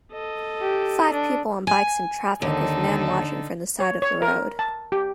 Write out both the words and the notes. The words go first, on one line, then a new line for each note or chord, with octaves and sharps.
Five people on bikes in traffic with man watching from the side of the road.
A4 D#5
G4
D4
G#5
D#2 D3 D#4 A4
C#5
C#5
A#4
A5
G4